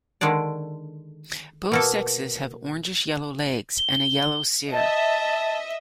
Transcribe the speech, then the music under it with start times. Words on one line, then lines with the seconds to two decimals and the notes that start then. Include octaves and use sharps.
Both sexes have orangish-yellow legs and a yellow cere.
0.21 D3 D#3 G#3 D4 D5
1.72 B2 A#3 A4
3.78 G7
4.72 D#5 E5 A5